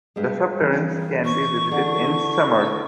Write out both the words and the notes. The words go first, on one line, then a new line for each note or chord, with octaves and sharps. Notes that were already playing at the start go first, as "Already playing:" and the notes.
The subterraneans can be visited in summer.
G2 G#3
E3 C4
C#6
E2 D3